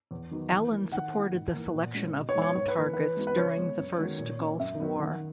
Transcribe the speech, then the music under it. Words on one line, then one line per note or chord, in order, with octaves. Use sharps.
Allen supported the selection of bomb targets during the first Gulf War.
E2
D#3 F#3 B3 D#4
E3
A#3 E4
D#3 F#5
A#3 E4
G#2
E3 A#3
A#2
G#3 C#4 E4
B2
C#5
G#3 B3 D#4
C#5
G#2 C#5
B4
E3 A#3 E4
E3 B4
G#3 B3 D#4 F#4
B4
C#3 C#5
G#3 B3
F#2
D#3 G#3 B3 F#4
A#2
A#3 C#4
F#2 E5
D#3 F#3 B3
D#3 F#5